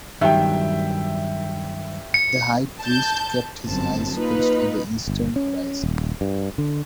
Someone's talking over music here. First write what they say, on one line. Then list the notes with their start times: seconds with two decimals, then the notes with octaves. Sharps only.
The high priest kept his eyes fixed on the eastern horizon.
0.21 G2 D#3 F#3 E5 G5
2.14 C#7
2.80 A5 G6
3.65 G1 F#2 C4 A5
4.14 A#3 D#4 F4 B4
5.08 G1
5.36 C#4
5.83 D#1
6.21 G2
6.58 D3